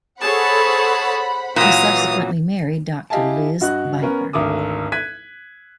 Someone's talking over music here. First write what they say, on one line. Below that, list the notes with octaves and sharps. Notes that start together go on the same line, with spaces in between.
He subsequently married Doctor Liz Beightler.
G#4 A4 C5 C#5 F#5 A5 B5
A#2 E3 F#3 F5 D#6
E4 G4 D#5 F5 G#5 A5
G2 F#4 D#5 F#6
B3 C#4 A#4
G#1 D2 A4 D6 D#6
F#6 G#6 B6 D#7